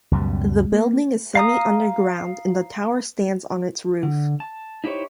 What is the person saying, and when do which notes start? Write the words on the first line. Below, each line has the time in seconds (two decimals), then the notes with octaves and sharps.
The building is semi-underground and the tower stands on its roof.
0.11 C#2 F#2 B2 G3
0.72 A#3
1.35 F5 A#5 D#6
4.03 D3
4.40 A5
4.84 D#4 E4 G4 C5 C#5